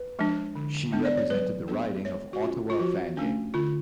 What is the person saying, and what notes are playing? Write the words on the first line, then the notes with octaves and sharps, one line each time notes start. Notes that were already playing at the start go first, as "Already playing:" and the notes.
She represented the riding of Ottawa-Vanier.
Already playing: B4
F3 G#3 D4
D3
G#3 B3 D4
D5
C#5
F#3 B4
B3 D4 A4
G#3 C#5
F#4
C#4 F4
F4
F3 F#4
A3 C#4 D4
D3 F4